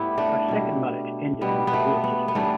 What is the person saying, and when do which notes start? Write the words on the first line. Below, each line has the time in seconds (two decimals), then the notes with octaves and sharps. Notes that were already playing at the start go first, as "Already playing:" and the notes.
Her second marriage ended in divorce as well.
Already playing: A2 G3 B3 E4 G4
0.17 A3 D4
0.48 B2 G3
1.41 B2 G3 B3
1.67 B3
1.73 A3
2.04 B3
2.28 B3
2.35 A2 E3 G3 A3 D4